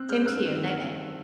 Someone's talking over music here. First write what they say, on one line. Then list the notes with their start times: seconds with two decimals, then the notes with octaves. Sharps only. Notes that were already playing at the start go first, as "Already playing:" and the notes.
Same to you, night night.
Already playing: C4 E6 F#6
0.09 G#3 F6 G6
0.26 G2 E6 F#6
0.45 D#3